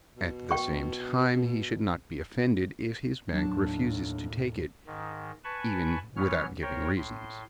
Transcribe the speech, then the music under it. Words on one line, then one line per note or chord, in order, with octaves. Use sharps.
At the same time he should not be offended if his bank refuses to take it even without giving reasons.
B2
G5 C#6
D#2 A2 F#3 D4 A5
G#2 D#3
B4 G#5 A5 B5 C#6
E3 F#3 B3 C#4 C#5 F6
A#4 C5 C#5 G5
A2 C6